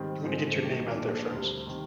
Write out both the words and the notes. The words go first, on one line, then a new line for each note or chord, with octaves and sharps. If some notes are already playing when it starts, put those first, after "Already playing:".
You wanna get your name out there first
Already playing: G#2 D#3 G3 C4
G#2 F3 G#3 C4
C2 C3 D#3 A#3 D4
A#2 F3 G#3 D4
D#6
D2 C3 G3 C4 F6
C3 D#3